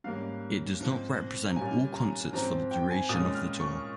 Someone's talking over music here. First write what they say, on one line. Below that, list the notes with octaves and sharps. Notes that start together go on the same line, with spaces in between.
It does not represent all concerts for the duration of the tour.
G#2 G3 A#3 C#4 F5
G#2 F3 C4
A#5
A#2 G3 C#4 G#5
A#5
G#2 F3 C4 A#5
G5
G#5
A#2 G#3 C#4 D#6
F6
C#6